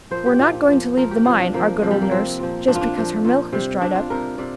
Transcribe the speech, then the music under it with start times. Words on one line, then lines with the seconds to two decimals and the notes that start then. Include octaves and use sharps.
We're not going to leave the mine, our good old nurse, just because her milk is dried up!
0.11 A#2 F3 C5
0.26 G4
0.39 A#2 F3 F4
0.68 A#2 F3
0.97 A#2 F3 A#4
1.11 G4
1.25 C3 F3 F4
1.39 D4
1.53 C3 F3 A#3
1.82 C3 F3
1.91 G3
2.02 A#3
2.11 C3 F3 C4
2.39 A#2 F3
2.68 A#2 F3 D4
2.75 F4
2.81 D4
2.97 A#2 F3
3.25 A#2 F3
3.53 C3 G3
3.82 C3 G3 D4
3.95 F4
4.10 C3 G3 A#4
4.38 C3 D5